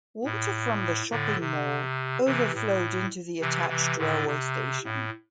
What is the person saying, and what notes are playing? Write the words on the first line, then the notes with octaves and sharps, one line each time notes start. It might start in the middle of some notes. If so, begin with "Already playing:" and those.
Water from the shopping mall overflowed into the attached railway station.
A2
A2 D3
C3
C3 E3
A2
C3 E3
C3 E3
A2 D3
C3
A2